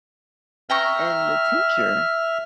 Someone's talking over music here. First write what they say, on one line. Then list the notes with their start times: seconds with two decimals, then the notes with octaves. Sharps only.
and the teacher
0.70 E5 G5 A#5 C#6 F6